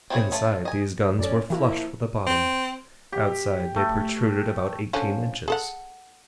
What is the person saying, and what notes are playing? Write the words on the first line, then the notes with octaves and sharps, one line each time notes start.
Inside, these guns were flush with the bottom; outside, they protruded about eighteen inches.
C4 E4 F#4 G#4 C#5
A3 C#4 F4
D#5 G#5
F#2 C#4 A4 D5
E3 F3 A#3 E4 F#4
C4
G4
A3
D3 F3 C#4
G#4 A4 F#5